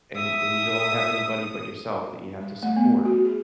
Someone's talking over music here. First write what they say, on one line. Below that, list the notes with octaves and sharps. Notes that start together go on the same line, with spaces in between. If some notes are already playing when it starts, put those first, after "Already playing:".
and and you don't have anybody but yourself that you have to support,
E5 D#6
G3
A3
B3
F#4
G#4